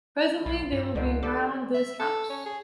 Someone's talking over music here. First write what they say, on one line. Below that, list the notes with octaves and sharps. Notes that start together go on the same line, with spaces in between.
Presently they will be round this house.
B1 F4
G2
C#2 D3 D#3 C4
D4 G4 A4
E5
A4
C#4
G#4